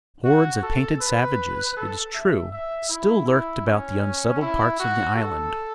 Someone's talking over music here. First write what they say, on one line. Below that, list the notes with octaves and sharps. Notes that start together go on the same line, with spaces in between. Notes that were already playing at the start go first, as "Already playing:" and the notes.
Hordes of painted savages, it is true, still lurked about the unsettled parts of the island.
F#4
A4
B4
A4
E5
E5
E4
E4
C#4
E4
F#4
A4